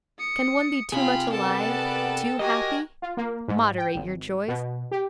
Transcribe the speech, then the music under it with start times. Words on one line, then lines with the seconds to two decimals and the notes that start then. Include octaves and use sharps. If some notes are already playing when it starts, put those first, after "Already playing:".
Can one be too much alive, too happy? Moderate your joys.
0.19 D#6 C#7
0.92 C3 F4 G#4 G5 B5
1.31 B3 A4 A#4 D5 G5 A5
2.39 F#4 G4 A#4 D#5 G#5 A#6
3.02 F4
3.17 A#3
3.48 G#2
3.78 G5
3.95 G#1
4.48 B2
4.91 G4